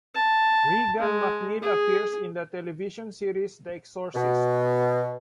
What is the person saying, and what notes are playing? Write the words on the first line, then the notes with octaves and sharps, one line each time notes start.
Regan McNeil appears in the television series "The Exorcist".
A5
G#3
G#4
B2